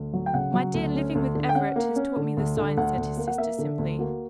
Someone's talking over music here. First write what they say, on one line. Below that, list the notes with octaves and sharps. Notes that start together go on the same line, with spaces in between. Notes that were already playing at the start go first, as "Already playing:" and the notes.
"My dear, living with Everett has taught me the signs," said his sister simply.
Already playing: D2
F#3
G5
C#3 F#5
F#3
D2
C#4
D2
D3
G5
C#4 F#5
A#3
C#4
D3
D2
D3
D2 F#5
D2
A#3
F#5
A#3 E5
D3
D2
A#3 F#4